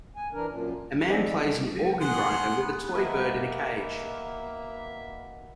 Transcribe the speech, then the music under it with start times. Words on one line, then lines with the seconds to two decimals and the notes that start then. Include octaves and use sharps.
A man plays an organ grinder with a toy bird in a cage.
0.16 G#5
0.32 E3 D4 A#4
0.48 F#2 A#2
1.10 C4 D#4 G#4 D5
2.01 G#4 F#5 C6
2.95 B2 D#3 A#3 B4 E5 D6